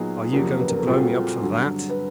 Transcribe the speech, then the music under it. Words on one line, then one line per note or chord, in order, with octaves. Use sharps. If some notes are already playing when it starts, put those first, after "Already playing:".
Are you going to blow me up for that?
Already playing: A#2 F#3 B3 D#4 G#4
F2 C#3 F#3 A#3 F4 G4
B4
A#4
A4
A#2 G3 C4 F4 F#4 G#4
G2 D3 F#3
B4